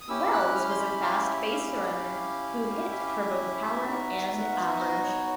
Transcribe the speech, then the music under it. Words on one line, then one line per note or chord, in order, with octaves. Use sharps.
Wells was a fast baserunner who hit for both power and average.
D#6
C#4 E4 G4 E6
F#6
F6
C6
B5
F5
E5
F5
F5
E5
F5
E5
B3 D#4 F#4
F#5
F5
E5
D#5
C#5